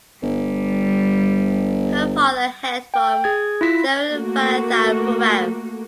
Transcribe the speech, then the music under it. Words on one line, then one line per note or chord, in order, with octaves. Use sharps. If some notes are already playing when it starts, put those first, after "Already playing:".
Her father hailed from Thiruvananthapuram.
G1 G3
G5
G#4 G#6
E4 F4 B6
A3 A#3 F#4